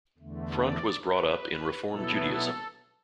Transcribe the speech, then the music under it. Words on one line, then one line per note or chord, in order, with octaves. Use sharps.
Front was brought up in Reform Judaism.
E2 D3 A3
D5
B4
B2 F#3 B3 E4 A4